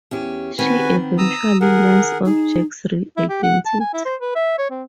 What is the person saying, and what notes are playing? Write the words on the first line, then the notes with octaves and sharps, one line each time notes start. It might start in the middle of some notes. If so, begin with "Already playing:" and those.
She eventually learns of Jack's real identity.
E2 C#4 G4
D#3 B3 C4 F#4 B4 G#5
A#5 D#6 E6
D#3 G#4 A#4 F#5
D#4 G#4
E4
G4
F#5
A5
G#5
E4
C5
B4
E5
C#5
C4